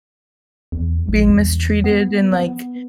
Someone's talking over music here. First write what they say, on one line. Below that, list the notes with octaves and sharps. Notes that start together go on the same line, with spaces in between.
being mistreated in, like,
E2
A#1
E2
B3
B3